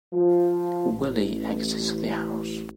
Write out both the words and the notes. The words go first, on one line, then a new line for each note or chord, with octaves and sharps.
Willy exits the house.
F3
A1